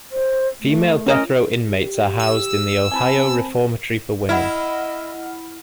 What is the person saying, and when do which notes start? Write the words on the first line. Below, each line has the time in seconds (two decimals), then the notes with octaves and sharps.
Female death row inmates are housed in the Ohio Reformatory for Women.
0.12 C5
0.60 A3
1.06 C#4 A#4 D#5
1.68 G4
2.20 E6
2.92 C4 G#5 A5 B5
4.29 E4 D#5 F#5 B5 F6